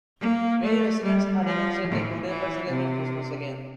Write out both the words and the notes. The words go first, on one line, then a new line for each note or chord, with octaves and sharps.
Many residents had even said they could never celebrate Christmas again.
A#3
A3
G3
F3
E3
E3
C3